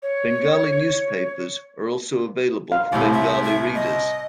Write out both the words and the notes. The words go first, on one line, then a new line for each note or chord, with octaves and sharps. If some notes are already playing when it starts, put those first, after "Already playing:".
Bengali newspapers are also available for Bengali readers.
C#5
F5
C2 A2 C3 E4
E5
E5
D#5